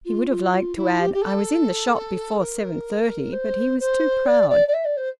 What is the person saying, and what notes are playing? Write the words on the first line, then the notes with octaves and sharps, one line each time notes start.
He would have liked to add: "I was in the shop before seven-thirty," but he was too proud.
F4
F4
F4
E4
G4
G4
A4
A#4
C5
C5
D5
D5
D5
E5
D5
C5